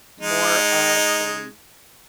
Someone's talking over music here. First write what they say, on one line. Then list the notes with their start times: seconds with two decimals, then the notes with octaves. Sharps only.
more of a,
0.21 G#3 D#4